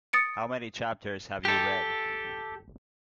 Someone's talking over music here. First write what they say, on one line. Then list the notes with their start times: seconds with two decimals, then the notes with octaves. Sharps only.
How many chapters have you read?
0.13 D#6 A6 C#7 D7
1.45 G4 A4